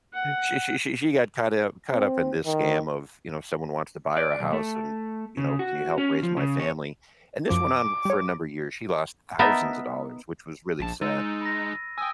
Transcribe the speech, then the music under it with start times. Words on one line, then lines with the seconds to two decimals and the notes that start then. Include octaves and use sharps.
She she she she got caught up caught up in this scam of, you know, someone wants to buy her a house and, you know, can you help raise my family? And this went on for a number years, she lost thousands of dollars, which was really sad,
0.13 F#5
1.90 C4
2.46 D#3
4.17 D5
4.40 B1
4.53 A3
5.37 C#3
5.59 F#4
5.98 C#4
6.23 F3
6.37 C#3
6.60 C#5
7.50 F#2 F3 D6
8.05 G3 C#5
9.39 B3 D#4 A#4 B4 E5 A5
10.80 A#1 A5
11.01 G#3 D#4 E6 A6 D#7
11.41 B5 A#6
11.98 G5 G#5 D#6 E6